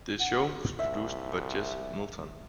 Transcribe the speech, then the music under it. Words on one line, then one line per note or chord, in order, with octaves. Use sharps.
The show was produced by Jess Milton.
F#5
C2 E5